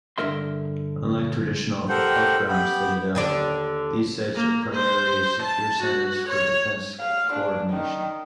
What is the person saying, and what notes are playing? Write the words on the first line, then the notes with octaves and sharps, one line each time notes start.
Unlike traditional above-ground citadels, these sites are primarily secure centres for defence co-ordination.
G2 D3 G#3 A#4 E5 C6
G4 A4 A#4 C5 F#5 G5
B3 G4 G5 B5
D#2 D3 D4
A#3
C5
A5
F#4
C#5
F5
D4
D#3